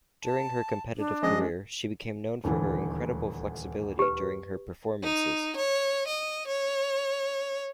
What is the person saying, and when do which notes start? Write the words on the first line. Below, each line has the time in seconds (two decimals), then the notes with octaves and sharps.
During her competitive career she became known for her incrededible flexibility during her performances.
0.24 A5
0.96 D4
1.23 F3 G#3 C#4 D#5
2.44 D#1 D2 E3
3.99 G4 B4
5.03 D#4
5.57 C#5
6.07 D#5
6.47 C#5